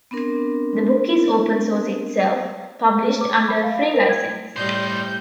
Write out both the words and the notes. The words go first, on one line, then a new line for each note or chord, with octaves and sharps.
The book is open source itself, published under a free license.
B3 C4 D4 A#4
B4
D6
G#6
B5
F5
A#4
G#6
A2 G3 C5 D5 D#5 G6